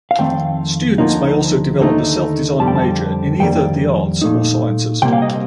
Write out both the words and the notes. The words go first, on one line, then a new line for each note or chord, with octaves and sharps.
Students may also develop a self-designed major in either the arts or sciences.
F5
F2 D#3 A3 C4 G5
D2 D3 F3 A#3 D#4
D#2 D3 A3 C4 D#4
F2 D3 G3 A5
G5
A5
F2 D#3 G3 A#3 D4 G5
A#2 A3 D#4
C3 G3 A#3 G5
F5
D#5